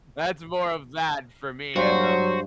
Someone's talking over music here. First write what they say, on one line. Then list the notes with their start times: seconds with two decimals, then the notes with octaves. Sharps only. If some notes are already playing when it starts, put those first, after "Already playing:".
That's more of that for me, and, um,
1.76 G2 F#3 F#4 C5